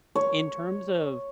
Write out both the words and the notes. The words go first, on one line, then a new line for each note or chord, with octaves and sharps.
in terms of
C#5